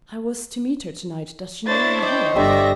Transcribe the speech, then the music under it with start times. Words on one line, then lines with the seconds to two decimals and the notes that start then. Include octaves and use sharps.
"I was to meet her to-night; does she know I'm here?"
1.67 D4 E4 C5 C#5 A6
2.02 D5 D#5 G5
2.36 G1 D3 G4 D5 E5 A#6